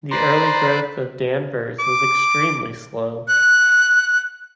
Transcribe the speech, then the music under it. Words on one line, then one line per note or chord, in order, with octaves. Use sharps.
The early growth of Danvers was extremely slow.
B4 C5 D5 A#5 C6
D6
F#6